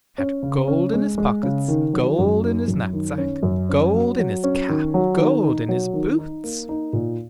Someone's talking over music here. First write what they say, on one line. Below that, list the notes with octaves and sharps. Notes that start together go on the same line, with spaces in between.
He had gold in his pockets, gold in his knapsack, gold in his cap, gold in his boots.
C#4
C#3
C#4
G#3
G#3
C#3
D#3
F#3
F#2
D#4
F#2
D#3
C#4
F#2
C#4
F#3
F#3
C#4
D#3
F#3
D#3
D#4
F#3
D#3
D#4
A#3
D#4
A#2